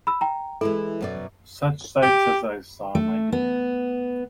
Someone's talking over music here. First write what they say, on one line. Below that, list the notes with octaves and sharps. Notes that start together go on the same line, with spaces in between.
Such sights as I saw, my dear!
B5 E6
G5 A#5
E3 G#3 E4 A4
F#2 B2 D5
G4
A3
B3